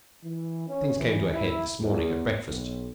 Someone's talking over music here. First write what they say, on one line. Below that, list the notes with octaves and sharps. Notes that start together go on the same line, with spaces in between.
Things came to a head this morning at breakfast.
E3
C#4
E3
E4
E2
B1